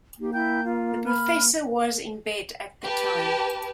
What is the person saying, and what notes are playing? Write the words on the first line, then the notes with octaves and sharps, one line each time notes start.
The professor was in bed at the time.
A#3 D#4 G4
E4 G5 G6
F4
B5 F6
G4 B4 A5